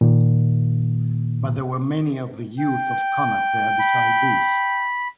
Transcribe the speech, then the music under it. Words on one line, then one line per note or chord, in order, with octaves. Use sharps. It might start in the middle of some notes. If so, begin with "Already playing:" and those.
But there were many of the youth of Connacht there besides these.
A#2 D#3 A#3
G5
B5